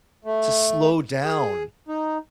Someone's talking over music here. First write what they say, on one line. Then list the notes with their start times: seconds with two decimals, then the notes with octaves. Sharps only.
to slow down
0.25 A3
1.24 G#4
1.88 D#4